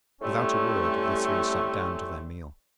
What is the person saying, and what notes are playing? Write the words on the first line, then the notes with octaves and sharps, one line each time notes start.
Without a word the three sat down to their meal.
A2 G3 A3 C4 C#4